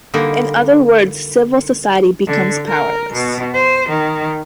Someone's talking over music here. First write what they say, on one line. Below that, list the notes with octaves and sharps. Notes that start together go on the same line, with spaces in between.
In other words, Civil Society becomes powerless.
D3 G3 A#3 D#4
D3
A#4
B2
C5
D#3